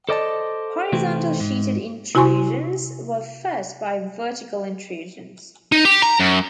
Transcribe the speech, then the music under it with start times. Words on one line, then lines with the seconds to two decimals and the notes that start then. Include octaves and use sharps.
Horizontal sheeted intrusions were fed by vertical intrusions.
0.09 A4 C5 D5 D#5 G#5 A5
0.93 C3 E3 A3 C4
1.40 G#2
2.15 C3 E4 F#4 G#5 C6 C#6
5.72 D#4
5.85 G4
6.03 A#5
6.20 F#2